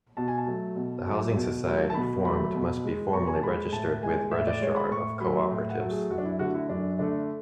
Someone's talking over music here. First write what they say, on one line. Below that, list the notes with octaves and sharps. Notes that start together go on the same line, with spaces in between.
The housing society formed must be formally registered with registrar of co-operatives.
B2 A5
G#5
A5
F#3 A3
B2
F#3 A3
B2
F#3 A3
A5
B2 B5
F#3 A3 B5
B2
G#3
B2 C#6
G#5
A5
G#3 B5
A2 A5
G#3 G#5
A2 E5
D5
G#3 C#5
B5
A2 C#6
F#3 A3 B5
A2
F#5
F#3 A3
G#4
F#2 F#4
D4
E4
D3 A3 F#4
E4
F#2 D4
D3 A3 D4